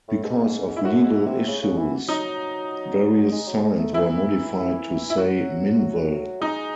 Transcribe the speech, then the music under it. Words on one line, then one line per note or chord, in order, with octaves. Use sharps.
Because of legal issues, various signs were modified to say Minnville.
A2
G#2
E4
F#2 F#4
G#2
C3
C#3
C#3
E3
F#3 D#4
G#3
F#3
G#3
A3
E3 E4
E4
F#3 F#4
F#3
G#3 D#4